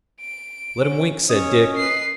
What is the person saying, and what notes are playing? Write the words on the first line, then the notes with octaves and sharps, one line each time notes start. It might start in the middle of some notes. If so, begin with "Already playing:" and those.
"Let 'em wink," said Dick.
D7
C#4
C#4 C#5 D#5
B4 C7